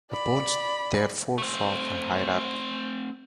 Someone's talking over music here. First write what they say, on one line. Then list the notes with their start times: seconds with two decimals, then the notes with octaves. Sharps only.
The bones therefore form a hierarchy.
0.11 D5 B5
1.38 A3 C4